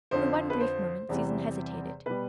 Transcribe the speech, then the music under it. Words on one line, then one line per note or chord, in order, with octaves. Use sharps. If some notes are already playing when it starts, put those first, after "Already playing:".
For one brief moment Susan hesitated.
F2 D3 F3 C5
B4
C5
E2 C3 E3 G3
B2 G3 B4